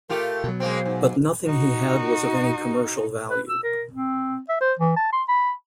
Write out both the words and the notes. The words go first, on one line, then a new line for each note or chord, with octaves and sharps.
But nothing he had was of any commercial value.
A3 F4 G4 A#4
B2 F#3
G#3 A#3 C4 C5
G#2
D#4 F#4
B4
E6
A#4
C4
E5
C5
E3
A5
C6
B5